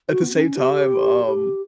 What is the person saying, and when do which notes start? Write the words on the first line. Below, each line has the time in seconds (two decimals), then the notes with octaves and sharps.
at the same time, um,
0.10 F#4
0.23 B3
0.33 C#4
0.56 G4
1.25 G4